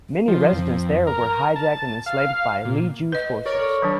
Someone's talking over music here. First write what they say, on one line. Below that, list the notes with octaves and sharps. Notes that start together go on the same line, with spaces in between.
Many residents there were hijacked and enslaved by Li Jue's forces.
F3
F2
A#4
A5
F5
A#2
B4 D#5
A#4 C#5 D5
A4
D#3 F#3 D4